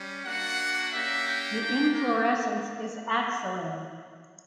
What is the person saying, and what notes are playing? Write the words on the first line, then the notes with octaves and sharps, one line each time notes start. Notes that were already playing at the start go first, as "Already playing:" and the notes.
The inflorescence is axillary.
Already playing: G3 C#4
A#3 D4 F#4 F#5
A#3 C#4 G4 E5
G5
A#3 D4 G4
A#4